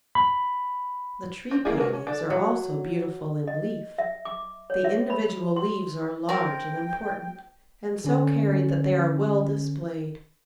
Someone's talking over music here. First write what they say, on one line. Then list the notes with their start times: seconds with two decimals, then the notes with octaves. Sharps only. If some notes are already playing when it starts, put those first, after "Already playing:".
The Tree Paeonies are also beautiful in leaf; the individual leaves are large and important, and so carried that they are well displayed.
0.15 B5
1.51 C4
1.65 G#3 A#3 E4 F4 G#4
1.78 G#3 F#4 A#4 B4
1.93 C#4
2.07 D4 A4
2.30 F#3
3.47 D#5
3.98 E5
4.25 D6
4.70 C#5
4.84 E5
5.10 B5
5.56 C6
6.29 C4 A#4 G5
8.05 D3 C#4